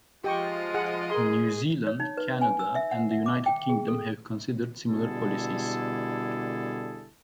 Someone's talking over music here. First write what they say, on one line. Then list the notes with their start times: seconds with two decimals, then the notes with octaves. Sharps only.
New Zealand, Canada, and the United Kingdom have considered similar policies.
0.24 F3 G#3 F4 G4 D#5 G5 C#6
0.74 G#4 F#5
1.10 G#4 A#4 C6
1.87 C#5
2.00 D#4
2.17 B4
2.41 G#5
2.59 E6
2.75 E5
2.91 F#5
3.11 E5
3.26 D6
3.46 G5
3.69 G#4
3.88 A4
4.90 B2 D3 G3 E4 G#4 A4